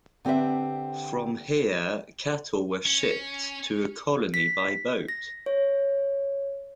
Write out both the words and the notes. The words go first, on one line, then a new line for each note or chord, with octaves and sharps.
From here cattle were shipped to the Colony by boat.
D3 C4 G4 B4 E5
C#4
B6
A#6
C#5